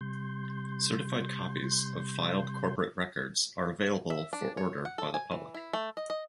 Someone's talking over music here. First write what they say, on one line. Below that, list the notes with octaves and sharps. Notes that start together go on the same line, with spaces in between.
Certified copies of filed corporate records are available for order by the public.
C3 G3 C6 G6
E5
D4
C#5
F#5
A4
G#5
E3
E4
A3
D#5
D#5